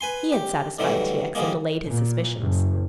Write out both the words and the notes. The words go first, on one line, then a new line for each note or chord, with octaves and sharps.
He had satisfied T. X. and allayed his suspicions.
B4 G#5 C6
G4
G#2 D3 E3 F#3 G3 A3
D3 F3 G3 G#3 A#3
A#2
F#1